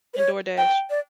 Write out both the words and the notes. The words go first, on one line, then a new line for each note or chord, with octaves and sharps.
And DoorDash
B4
C#5
G5
D5